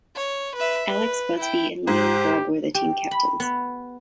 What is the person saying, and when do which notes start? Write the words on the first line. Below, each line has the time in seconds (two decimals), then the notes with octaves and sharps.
Alex Buzbee and Liam Grubb were the team captains.
0.15 C#5
0.56 B4 E5
0.87 B4
1.39 E4 G5
1.87 G#2 G4 C5
2.75 G4
3.11 B5
3.40 B3